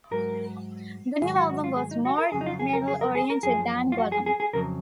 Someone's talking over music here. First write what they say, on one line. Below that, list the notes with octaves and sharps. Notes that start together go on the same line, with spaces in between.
The new album was more metal oriented than "Golem".
G#2 F#3 A#4
G#2 D#3 F#3 G#4
F#4
F#4
F4
G#4
D#4
F#4
A#4
F2 C#3 F#3 G#4
D#4
F4
G#4
A#4
G#4
A#4
G#4
A#4
F#2 F3 G#4
F4
F#4
G#4
G#4
G#4
F2 C#3 F#3 A#4